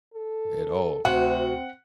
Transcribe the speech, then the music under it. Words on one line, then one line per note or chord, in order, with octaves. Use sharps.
At all.
A4
D2 C3 C4 F#4 F#5